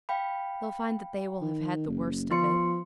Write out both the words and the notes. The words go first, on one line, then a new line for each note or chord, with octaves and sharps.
They'll find that they will have had the worst of it.
F5 G5 B5
D#3
F#1
F3 B3 C6 C#7